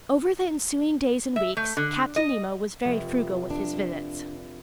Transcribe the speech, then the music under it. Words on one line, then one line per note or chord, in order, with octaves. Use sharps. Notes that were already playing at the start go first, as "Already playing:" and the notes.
Over the ensuing days and weeks, Captain Nemo was very frugal with his visits.
E5
A3
D3
D#5
F1
D4